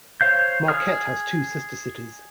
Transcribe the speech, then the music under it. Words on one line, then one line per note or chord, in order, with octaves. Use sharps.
Marquette has two sister cities.
C5 C#5 F5 G6
G#4 D#6 F6